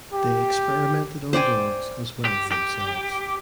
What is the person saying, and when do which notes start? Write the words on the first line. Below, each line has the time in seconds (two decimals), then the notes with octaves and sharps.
They experimented on dogs as well as themselves.
0.13 G4
1.33 C5 D5 G5 G#5
2.25 G4
2.52 G4